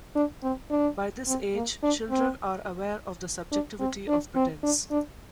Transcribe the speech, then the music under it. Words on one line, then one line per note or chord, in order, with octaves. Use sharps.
By this age, children are aware of the subjectivity of pretense.
D4
C4
D4
C4
A#3
D4
C4
D4
C4
D4
C4
D4
D4